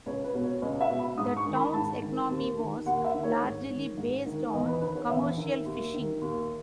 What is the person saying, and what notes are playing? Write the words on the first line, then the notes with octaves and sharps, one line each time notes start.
The town's economy was largely based on commercial fishing.
C#2 C#5
B4
B2
C#5
C#2 D#5
E5
B2
B5
G#2 D#6
C#6
D#3
B5
G#2 A5
D#3
D#2
D#3
D#2 F#5
E5
D#3
C#5
G#2
D#3
G#2
D#3
E2 D#5
B4
D#3 B4
C#5
E2 E5
D#3
D#2
D#3
D#2